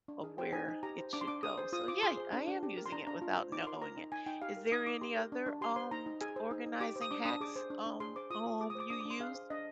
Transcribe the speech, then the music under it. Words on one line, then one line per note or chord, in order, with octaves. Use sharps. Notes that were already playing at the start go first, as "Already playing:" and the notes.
of where it should go. So, yay! I am using it without knowing it. Is there any other, um, organizing hacks, um, um, you use?
D4
G#4
C5 G5
D#4 G#5
D#4
G4 A#5
C5
D4 D6
C6
D4 D6
G#4 D#6
C5
F4 D#6
F4 D6
G#4 C6
C5
D4
D4
G4
A#4
C6
D4 A#5
D4 A#5
F4
C5
D#4 D6
A#4 C6
A#4 A#5
D#4
D#4 G#5
D#4 G5
G4 F5
A#4
D#4 D#6
D#4 D6
G4 C6
A#4
D4
D4
G4 C6
C5 C6
D#4 A#5
D#4
G#4 G#5
C5
D#4
D#4
G4 D6
C5
D#6
D4 D6
D4 D#6
G#4 D6
C5
D4
D4
G#4 C6
C5 D6
F4 D#6
F4
G#4 D6
D#6
C5 D6
D4 D#6
D4 D6
C6
G#4 F5
C5
D4 D#5